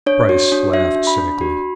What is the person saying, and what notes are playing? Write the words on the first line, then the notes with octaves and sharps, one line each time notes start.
Bryce laughed cynically.
D4 C#5
F#4
D4
F#4 E5
D4
B5
D4
F#4